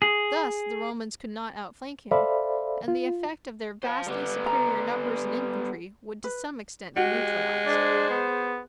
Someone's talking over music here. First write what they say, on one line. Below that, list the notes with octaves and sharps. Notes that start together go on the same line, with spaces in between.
Thus the Romans could not outflank him, and the effect of their vastly superior numbers in infantry would to some extent be neutralized.
G#4
A4 C5 D5 E5 F5 B5
F4
C5 F5
G3 B3
A#5
B4
G#3 F#4 G4 F#5
D4 G#4 C5
B3